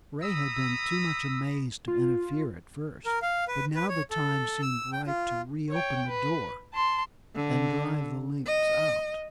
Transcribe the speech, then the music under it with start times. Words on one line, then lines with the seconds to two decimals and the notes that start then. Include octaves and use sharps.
Ray had been too much amazed to interfere at first, but now the time seemed ripe to reopen the door and drive the lynx out.
0.22 A#5 B5 D#6 E6
1.88 F4
3.06 A#4
3.22 F5
3.48 B4
3.76 B4
3.89 C#5
4.11 A4
4.62 E6
4.92 G5
5.07 F4
5.70 C#5 G5
6.08 B4
6.73 A5 C6
7.35 D3
8.46 D#5